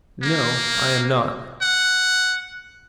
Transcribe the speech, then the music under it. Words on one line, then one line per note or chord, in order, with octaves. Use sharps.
"No, I am not."
A#3
F#5